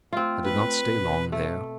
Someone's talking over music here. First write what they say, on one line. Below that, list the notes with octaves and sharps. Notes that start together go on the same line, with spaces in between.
I did not stay long there.
A3 C4 F4
B4
B2
A3